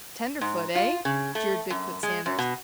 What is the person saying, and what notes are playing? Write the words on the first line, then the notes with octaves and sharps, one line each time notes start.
"Tenderfoot, eh?" jeered Big-foot Sanders.
G#2
F4
C#3
A3
F#2
G#3
F#2
B2